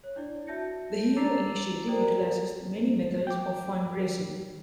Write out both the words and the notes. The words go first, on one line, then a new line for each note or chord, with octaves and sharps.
The Hero Initiative utilizes many methods of fundraising.
C#5
D4 E4 D5
F#4 E5 A5 G6 A#6 C#7
A#5 D6 E6 A6 C7 F7
A4 A#4 C5 D5 G5 A#5
G5 D6